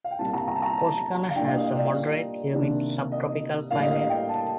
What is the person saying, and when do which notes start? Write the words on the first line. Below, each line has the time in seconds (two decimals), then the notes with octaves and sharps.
Corsicana has a moderate humid subtropical climate.
0.04 F5
0.11 G5
0.19 C2 A#2 G3 C4 A5
0.33 A#5
0.48 A#5
0.55 A5
0.62 A#5
0.78 A5
1.30 F5
1.36 A#2 G3 A#3 D4 G5
1.48 F5
1.55 D#5
1.75 D5
2.54 C3 D#3 A#3 D4
3.12 D#5
3.71 A2 G3 A#3 D4 F5
3.82 D#5
3.91 F5
4.10 G5
4.29 A5